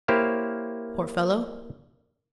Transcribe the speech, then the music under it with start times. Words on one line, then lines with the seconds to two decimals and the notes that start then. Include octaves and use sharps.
Poor fellow!
0.08 A#3 E4 G4 C5 C#5 F5